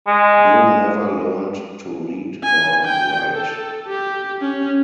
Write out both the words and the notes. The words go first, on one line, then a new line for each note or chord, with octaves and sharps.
Blue never learned to read or write.
G#3
G#5
G5
A4
G4
C#4